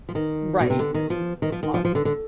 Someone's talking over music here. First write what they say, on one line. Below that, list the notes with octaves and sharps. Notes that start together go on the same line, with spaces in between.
Right, I jus exhausting.
F3
D#3
B2
C3
D3
D#3
F3
D#3
F3
D#3
F3
F3
D3
D3